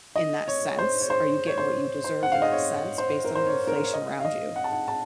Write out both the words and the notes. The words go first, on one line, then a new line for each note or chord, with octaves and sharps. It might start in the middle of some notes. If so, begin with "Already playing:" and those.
in that sense? Are you getting what you deserve in that sense based on the inflation around you?
D#5
C#5
C5
C#5
C5
C#5
C5
C5
F#5
F5
D#5
C#5
C5
A#4
C5
C#5
A#4
C5
C#5
D#5
F5
D#5
F#5
A5
F#5
A5